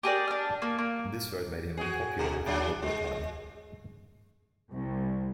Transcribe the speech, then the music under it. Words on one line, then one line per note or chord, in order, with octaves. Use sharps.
This vote made him unpopular within the Liberal Party.
G4 G#4 A#4 D5
D4 F6
A#3
A#3
F#4 G#4
B2
A#2 F#3 D4
G#3
C2